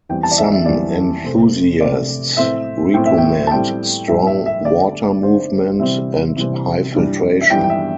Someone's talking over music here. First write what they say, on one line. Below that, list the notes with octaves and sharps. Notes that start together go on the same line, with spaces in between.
Some enthusiasts recommend strong water movement and high filtration.
E2 E3 G3 C4 G5
A5
D5
E5
E5
E2 E3 G3 C4 D5
C3 A3 C4
C3 A3 C4 D5
A2 A3 C4 E5
A2 A3 C4 G5
E5
G5
A5
A2 G3 C4 G5
A2 G3 C4 E5
E5
E5
D3 A3 D4 D5
D3 A3 D4 C5
C3 E3 G3 C4 E5
C3 E3 G3 C4
G2 E3 G3 D4
E5
G2 E3 G3 D4 G5
G5
E5